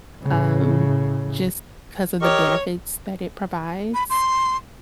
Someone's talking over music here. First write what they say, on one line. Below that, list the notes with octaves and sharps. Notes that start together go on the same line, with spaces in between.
um, just 'cause of the benefits that it provides,
A2 C#3
G4 A#4 C#5 D#5
B5
C6